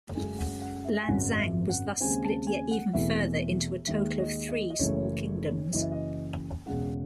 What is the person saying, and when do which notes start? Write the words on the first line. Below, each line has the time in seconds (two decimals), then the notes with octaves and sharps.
Lanxang was thus split yet even further into a total of three small kingdoms.
0.15 F#2 C#3 G#3 G#5
0.39 F#5
0.61 F#5
0.85 E5
1.03 G#5
1.08 G#1 F#2 C#3 F#5
1.31 D#5
1.39 E5
1.69 F#5
2.01 D#2 C#3 G#3 C4 G#5
2.25 A5
2.47 G#5
2.71 F#5
2.93 E1 E2 C3 E3 A3 E5
3.87 D#2 D#3 G#3 E5
4.18 D#5
4.49 D#5
4.70 D#5
4.79 F#1 F#2 C#3 E3 A3 C#5
5.73 F#1 F#2 E3 D#5
5.82 E5
5.92 D#5
6.66 E1 E2 C#3 G#3 F#5